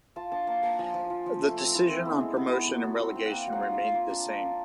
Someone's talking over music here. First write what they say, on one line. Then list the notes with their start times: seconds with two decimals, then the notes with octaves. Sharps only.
The decision on promotion and relegation remained the same.
0.16 F4 A5
0.32 D4 A5
0.47 A#3 A5
0.63 A#3 A5
0.79 F3 G#5
0.94 F3
1.10 F3
1.26 F3
1.43 A3
1.58 C4
1.74 E4
1.89 C4
2.05 B3
2.20 G#3
2.37 B3
2.52 B3
2.68 F#3
2.84 F#3
3.00 C4
3.16 C4
3.26 F#5
3.31 A#3 G5
3.47 F#3
3.52 F#5
3.63 F4
3.73 F5
3.78 F4
3.94 A#3
4.10 D4
4.26 A#3
4.42 D4